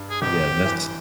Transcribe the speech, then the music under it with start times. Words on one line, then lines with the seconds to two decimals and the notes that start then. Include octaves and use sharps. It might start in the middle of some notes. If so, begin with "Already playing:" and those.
Yeah, that's
Already playing: G2
0.10 G#4
0.22 G#1 G4
0.65 E3